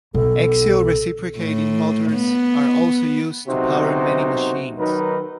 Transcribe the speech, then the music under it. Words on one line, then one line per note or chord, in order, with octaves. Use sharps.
Axial reciprocating motors are also used to power many machines.
B1 A4
A2
B3
B1 C3 D#4 F#4 C5
D#3 F#3 D#4 A#4 B4